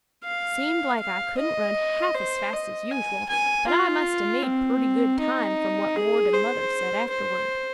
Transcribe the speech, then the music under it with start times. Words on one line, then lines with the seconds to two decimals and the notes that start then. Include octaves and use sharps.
Seemed like I couldn't run half as fast as usual, but I must 'a' made purty good time, from what 'Mord' an' Mother said afterward.
0.24 F5
1.01 F5
1.38 D#5
2.15 C5
2.53 D#5
2.91 G#5
3.29 G#5
3.67 F4
4.43 C4
5.20 D#4
5.96 G#4
6.34 C5
7.10 C5